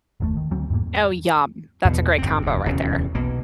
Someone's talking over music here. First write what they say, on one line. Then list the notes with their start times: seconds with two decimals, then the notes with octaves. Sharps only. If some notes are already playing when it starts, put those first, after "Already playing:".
Oh, yum. That's a great combo right there.
0.20 F#1 D#2 A3
0.37 D#3
0.51 D2 F#3 C4
0.70 E2 G#2 A#3
1.85 E2 B2
2.18 G1 C4
2.43 E1 D2
2.66 D1 E2 C3 C#4
3.15 B1 B2 A#3